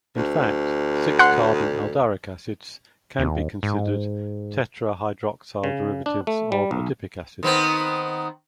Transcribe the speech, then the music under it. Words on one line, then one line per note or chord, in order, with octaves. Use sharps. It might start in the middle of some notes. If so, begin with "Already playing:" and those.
In fact, six-carbon aldaric acids can be considered tetrahydroxyl derivatives of adipic acid.
D2
F#5 C6
D#2
G#2
C#3
D4
A3
G3
B1
D#3 B3 C4